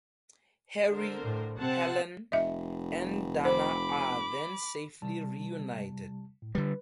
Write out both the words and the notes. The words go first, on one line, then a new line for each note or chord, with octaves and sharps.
Harry, Helen, and Dana are then safely reunited.
D3 A#4 C5
A2
C3 C4 F#5 A5
F1 D#5 E5
C5 B5 D6
C3 G3 A5
A2
D3 G3 B4